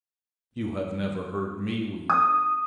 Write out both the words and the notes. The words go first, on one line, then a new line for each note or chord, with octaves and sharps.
You have never heard me weep.
D#6